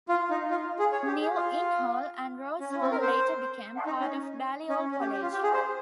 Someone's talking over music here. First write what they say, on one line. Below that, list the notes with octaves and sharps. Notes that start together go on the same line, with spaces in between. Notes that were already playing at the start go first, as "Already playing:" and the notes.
New Inn Hall and Rose Hall later became part of Balliol College.
F4
D#4
F4
G#4
C#5
G4
G#4
F4
C#4
C#4
C4
A#4
C5
D#4
C#4
C#4
C#4
G4
G4
F4
G4
G#4
C5